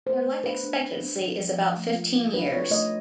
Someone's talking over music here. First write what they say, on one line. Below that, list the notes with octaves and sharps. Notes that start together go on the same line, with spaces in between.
Their life expectancy is about fifteen years.
A3 C5
A3
D4 B4
D4
D4
D4
F3
F3
F3
A3
F4
F3
D4 B4
F4 C#5
A3 D#5